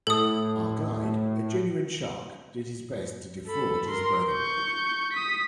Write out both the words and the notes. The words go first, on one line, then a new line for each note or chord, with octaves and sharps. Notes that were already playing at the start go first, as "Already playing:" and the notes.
Our guide, a genuine shark, did his best to defraud his brethren.
A2 A4 D#6
A4 B5
A#4 C6
C#6 G6
D#6 B6